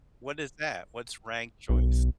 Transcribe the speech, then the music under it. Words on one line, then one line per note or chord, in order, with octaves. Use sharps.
What is that? What's "rank choice"?
B1